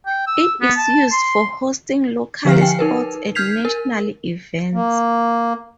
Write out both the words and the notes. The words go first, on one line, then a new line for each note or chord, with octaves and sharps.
It is used for hosting local sports and national events.
G5
E6
B3
A5
C6
D3 F3 G4 F5 F6 C7
G5 G#5 C7 C#7
D#4 A#4 B4
F6 G6 G#6 B6 C7 F7
A#4
A#3